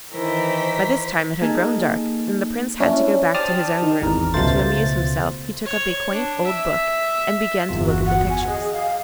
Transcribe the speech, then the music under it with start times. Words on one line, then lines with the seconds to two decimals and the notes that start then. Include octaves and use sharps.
By this time it had grown dark, and the Prince had to go back to his own room, and to amuse himself he took up a quaint old book and began to look at the pictures.
0.12 D#3 E3 A#4 C5 B6
1.41 A#3 D#4 G#4 A4
2.80 C#4 D4 E4
3.34 G4 C5 D5 A5 D#6 F6
3.82 D#3
4.02 G#1 E2 A#4
4.34 C#2 B2 A3 F4 C5 A6
5.66 C#5
6.12 D4
6.45 E5
7.69 G1 E2 F4
7.84 F#4
8.05 F#5
8.29 G#5
8.48 G#4 D#5
8.73 F5